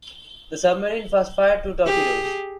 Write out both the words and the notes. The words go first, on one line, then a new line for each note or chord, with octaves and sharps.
The submarine first fired two torpedoes.
G4 G#4